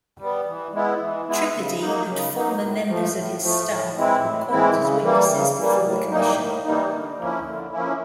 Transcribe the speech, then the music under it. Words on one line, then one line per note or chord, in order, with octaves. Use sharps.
Tripodi and former members of his staff were called as witnesses before the Commission.
G3 B3
E3
G#3 B3 E4
E3
G#3 B3 E4
C#3
F#3 A#3 D#4
C#3
F#3 A#3 D#4
A2
F3 A3
A2
F3 A3
A2
E3 G#3 C4 E4
A2
E3 G#3 C4 E4
C#3
E3 G3 A#3
C#3
E3 G3 A#3
A2
E3 G3 A#3 D#4
A2
E3 G3 A#3 D#4
D3
F3 A#3 C#4 E4
D3
F3 A#3 C#4 E4